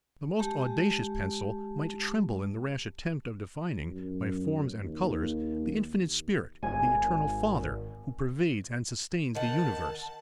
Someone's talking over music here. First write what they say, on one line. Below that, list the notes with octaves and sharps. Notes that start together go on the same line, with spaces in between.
The most audacious pencil might tremble in the rash attempt of defining, by forms and colors, the infinite Spirit, the eternal Father, who pervades and sustains the universe.
G#3 G4 A5
F#2
D#2
G#1 G#5
D#3 F#5 A5